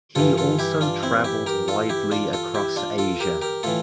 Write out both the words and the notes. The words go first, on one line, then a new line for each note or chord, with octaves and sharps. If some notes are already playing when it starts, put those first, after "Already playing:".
He also traveled widely across Asia.
G2 E3 F4 A4
F4 A4
E4 G4
D4 F4
C4 E4
E4 G4
G4 A#4
F4 A4
E4 G4
D4 F4
F4 A4
E4 G4
D4 F4
F4 A4
G4 A#4
G4 A#4
A2 E3 F4 A4